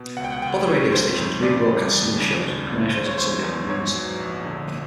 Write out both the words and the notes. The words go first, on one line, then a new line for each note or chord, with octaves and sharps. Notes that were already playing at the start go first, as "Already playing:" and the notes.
Other radio stations rebroadcast some of the shows with commercials on Sunday afternoons.
Already playing: B2
C#2 F#5
G5
F#5
C#2 G5
C3 C#5
F2 C5
F2
C#3 D5
G3
D#2
C#3
C#2
C#2
C#3 C5
C#5
E2 C5
E2
G#2 C#5
F#3
A#1
D3